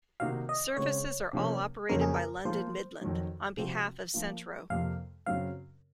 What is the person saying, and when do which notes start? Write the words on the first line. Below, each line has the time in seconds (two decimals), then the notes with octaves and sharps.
Services are all operated by London Midland on behalf of Centro.
0.20 C3 D#3 A#3 D#4 F#4 F5
0.49 D#5
0.77 C#3 G#3 C4 C#5
1.33 C3 F3 A#3 C#4
1.89 F2 C#3 F#3 A#3 C#4 A#4
2.01 G#4
2.14 A#4
2.45 F3 A#3 F4 C5
3.01 F2 D#3 F#3
3.57 C3 F3 C4 F#4
4.14 F3 A#3 F4
4.70 F2 C3 F3 A#3 F5
5.26 F#2 C#3 F#3 C4 F5